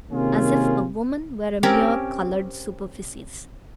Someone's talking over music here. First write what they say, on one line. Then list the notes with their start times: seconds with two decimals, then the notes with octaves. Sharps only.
As if a woman were a mere colored superficies!
0.11 C3 D#3 A#3 C#4 F4 G#4
1.63 C4 C#4 G4 A#4